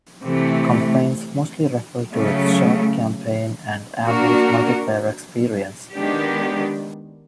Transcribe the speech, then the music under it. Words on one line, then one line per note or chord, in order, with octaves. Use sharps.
Complaints mostly refer to its short campaign and average multiplayer experience.
C3 E3 A3
C#3 F#3 A3
A#3 D4 F#4 A#4
D#3 G#3 B3 D4 G4